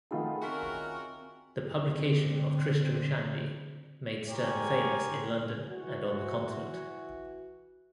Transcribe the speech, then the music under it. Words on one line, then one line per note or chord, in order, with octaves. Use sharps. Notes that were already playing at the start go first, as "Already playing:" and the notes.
The publication of "Tristram Shandy" made Sterne famous in London and on the continent.
D#3 A3 D#4 F4 G#4 F#5 G5 B5
C4 C#4 F#4 A#4 E5 C#6 B6
D3 C4
G4 A#4 C5 C#5 G#5
E3 F#4